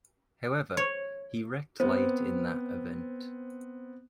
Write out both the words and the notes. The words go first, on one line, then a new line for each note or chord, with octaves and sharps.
However, he wrecked late in that event.
C#5
B3 C4 C5